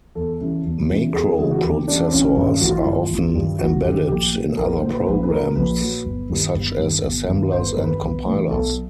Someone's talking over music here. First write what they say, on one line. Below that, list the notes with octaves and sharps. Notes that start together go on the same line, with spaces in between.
Macro processors are often embedded in other programs, such as assemblers and compilers.
E2 A4
C#3 E3 G3
E2
C#3 E3 G3
E2 G#4
C#3 E3 G3 G#4
F#4
E2 G4
C#3 E3 G3 D4
C4
A1 C#4
G2 D#3 G3 C#4
A1 F#4
F4
E4
G2 D#3 G3 F4
A1
G2 D#3 G3
A1 F#4
G2 D#3 G3 G4
A#1 G4
A#2 F#3
A#1 A#4
A#2 F#3 C5
B4
C5
A#1 B4
B4
A#2 F#3 A#4
A#1 B4
A#2 F#3
G1
G2 D#3 G3
G1
G2 D#3 G3
G1
G2 D#3 G3
G1 C5
B4
G2 D#3 G3 A#4
B4
B1
A2 E3
B1 A4